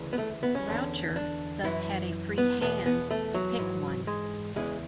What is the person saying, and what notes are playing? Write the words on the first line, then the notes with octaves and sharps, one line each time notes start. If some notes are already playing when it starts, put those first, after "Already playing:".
Raucher thus had a free hand to pick one.
Already playing: D2 C#3 E3
B3
A3
B3
C#4
E2 D3
D4
F#2 E3 E4
B3
E2 B2 B3
B3
A3
F#3
G#2 E3
G#3
E2 C#3 E3 G#3